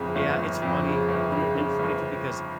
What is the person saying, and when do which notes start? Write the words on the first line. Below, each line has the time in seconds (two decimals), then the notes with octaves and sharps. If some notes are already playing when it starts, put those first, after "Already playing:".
Yeah, it's funny and i it's funny too because,
Already playing: G1 F2 C#3
0.15 G1
0.38 G1
0.62 F2
0.85 C#3
1.08 G1
1.32 C#3
1.55 C#3
1.79 G1